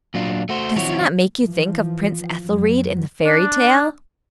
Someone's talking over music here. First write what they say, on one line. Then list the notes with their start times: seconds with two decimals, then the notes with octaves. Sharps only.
Doesn't that make you think of Prince Ethelried in the fairy tale?
0.14 A#2 F#3 D4 F4
0.49 A3 F#4 C5
0.76 D#3 F3 C4 E4 F#4 C#5
1.43 E3 F3
2.44 F#2 F#3
3.25 D4